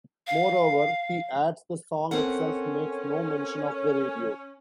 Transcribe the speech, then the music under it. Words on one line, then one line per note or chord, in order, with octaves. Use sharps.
Moreover, he adds, the song itself makes no mention of the radio.
F5
C4 C#4 A4 A#4 F#5